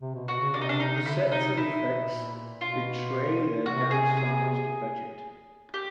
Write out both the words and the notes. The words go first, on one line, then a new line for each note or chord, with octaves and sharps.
The sets and effects betray their downsized budget.
C3
B2
B2 F#4
C#3
C3 D4
D#4
D4
D#4
D3 E4
C#3
C3 D#4
C3
B2 E4
C3
B2
A#2
B2 F4
C3 F#4
G#4
G#4
G4